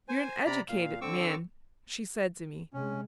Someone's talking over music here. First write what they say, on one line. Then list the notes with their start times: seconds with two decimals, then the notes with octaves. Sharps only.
'You're an educated man,' she said to me.
0.09 C5 G#5
0.46 C3 D5 A#5 B5
0.69 A#2 F5
1.01 D3 C4 C#6 D6 E6
2.73 C3 G#3 C#4